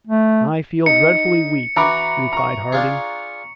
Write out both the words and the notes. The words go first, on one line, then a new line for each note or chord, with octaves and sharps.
"I feel dreadfully weak," replied Harding.
A3
D#4 C#7
E3 F#4 A#5 B5 D6
A#5 C#6
D4 F4 G#4